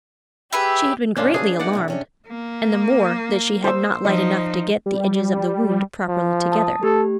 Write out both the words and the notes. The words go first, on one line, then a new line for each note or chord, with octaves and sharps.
She had been greatly alarmed--and the more that she had not light enough to get the edges of the wound properly together.
G4 G#4 B4 E5
F#2 A#2 D#3 C#4 D4 F4
D3 E3 C#4 D4 G#4
B3 D#4 E4 D5 F#5
E2 C3 A3
C3 C#4 D4
A#3
C5 E6
F3 D#4 D#5
G3
F3
A5 D#6
A3 G4 A4